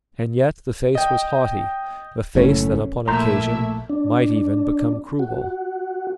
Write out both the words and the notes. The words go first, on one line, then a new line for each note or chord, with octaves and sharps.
And yet the face was haughty, a face that upon occasion might even become cruel.
D#5 G5
F#1 A2 C#4
A#1 A3 A#3 E4 E5 A#5 C6 G6
D4
F#4